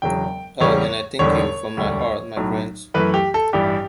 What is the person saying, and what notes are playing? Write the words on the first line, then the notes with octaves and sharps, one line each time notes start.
Oh, and I thank you from my heart, my friends.
E1 E2 C#3 F#3 G5
E2 C#3 G3 C#5
E1 E2 D3 G3 C#5
E1 D2 D3 G3
B1 A2 F#3 A3
F#2 E3 A3 B4
G4
A4
A1 G2 E3 G3 G4